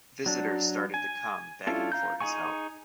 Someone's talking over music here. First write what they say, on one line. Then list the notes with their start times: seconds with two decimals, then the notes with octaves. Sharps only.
Visitors started to come, begging for his help.
0.26 F#3 D4
0.94 G#5
1.67 C#4 D4 E4 F4 A4
1.92 F5 A#5 G6
2.21 D#4 G#4 G#5 C#6